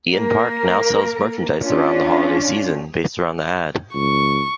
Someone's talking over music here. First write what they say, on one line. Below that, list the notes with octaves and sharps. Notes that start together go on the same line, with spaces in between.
Eat'n Park now sells merchandise around the holiday season based around the ad.
A#3 A#4
C#4 D4 F4
C#2 C#6